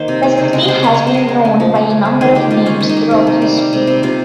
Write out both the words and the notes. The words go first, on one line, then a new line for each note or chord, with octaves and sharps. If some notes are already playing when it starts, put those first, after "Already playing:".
The city has been known by a number of names throughout history.
Already playing: D#3 A#3 C5
C3
C3
C#3 G#4
G#3 A#4
G#3 C5
C#3 C#5
C#5
C#3
C5
G#3 A#4
C#3
C#3
F3
A#3
C#3
C#3
D#3 G#4
A#3 G4
A#3 F4
D#3 C#4
D#3
D#4
A#3
C3
C3
G3
A#3
C3
C3
C3 F4